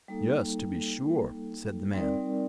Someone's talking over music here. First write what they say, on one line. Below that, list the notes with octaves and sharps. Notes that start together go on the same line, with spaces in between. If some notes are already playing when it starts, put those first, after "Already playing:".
'Yes, to be sure', said the man.
G3 A#3 D#4 A4
G3 C4 D#4 A#4 D5